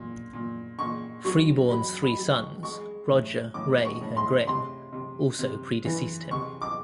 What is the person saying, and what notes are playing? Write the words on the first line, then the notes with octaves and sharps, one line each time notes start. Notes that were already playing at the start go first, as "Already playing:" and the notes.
Freeborn's three sons - Roger, Ray and Graham - also predeceased him.
Already playing: A#2
A#2
A#2 C#6
F#3 C#6
F#3 B5
B5
F#3
C#6
G#3 C#6
A2
A2 D6
C#6
A2
C6
C3 C6
C3
C3
E3
C3 C#6
D6